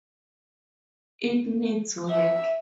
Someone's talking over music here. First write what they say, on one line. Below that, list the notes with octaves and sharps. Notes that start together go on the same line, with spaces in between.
It needs work.
E5